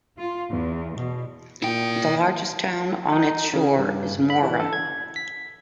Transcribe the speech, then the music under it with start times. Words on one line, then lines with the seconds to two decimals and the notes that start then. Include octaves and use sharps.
The largest town on its shore is Mora.
0.17 F4
0.50 E2
0.97 B2
1.62 A#2 E4 G5
3.12 D#4
3.53 C#3
3.79 G2
4.30 B5
4.43 E3
4.60 A4
4.73 G#6
5.16 B6